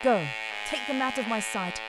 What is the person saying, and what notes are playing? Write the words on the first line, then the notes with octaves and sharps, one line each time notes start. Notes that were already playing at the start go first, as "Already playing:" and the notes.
Go, take them out of my sight!
Already playing: A2
G#2
A2